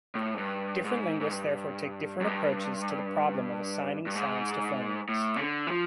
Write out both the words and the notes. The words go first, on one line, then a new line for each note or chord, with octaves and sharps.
Different linguists therefore take different approaches to the problem of assigning sounds to phonemes.
A2
G#2
G2
G#2
G#2
G2
F#2
G2
G2
G#2
A2
C#3
D3
E3
F3